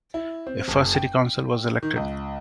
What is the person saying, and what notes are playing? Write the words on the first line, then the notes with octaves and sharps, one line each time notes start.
A first City Council was elected.
E4
C4
F#1
G5
D#3
C#2